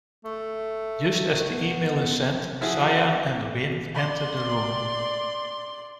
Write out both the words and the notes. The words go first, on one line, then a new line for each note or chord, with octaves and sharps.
Just as the email is sent, Cyan and Wynn enter the room.
A3
B3
F3 E4 F#4 G#4
D5 C6